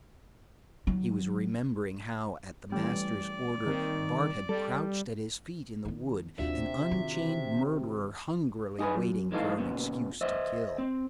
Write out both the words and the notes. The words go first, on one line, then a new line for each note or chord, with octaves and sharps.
He was remembering how, at the master's order, Bart had crouched at his feet in the wood, an unchained murderer hungrily waiting for an excuse to kill.
D#3 F#3
E3 G3 A3 C#4 D5
D#3 A#3 C4 D#4
G3 A4
D#3 B3
D#2 C3 D#3 D4 F4 F#4 E5
D#3
D#4 G#4 B4
F#2
B1 E3 G#3 D#4 A4 F5
A#2 C#3 B3
C5 D#5 E5
C4